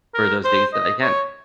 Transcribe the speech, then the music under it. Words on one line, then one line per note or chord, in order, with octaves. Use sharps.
for those days that I can.
A#4
C5
D#5
C#5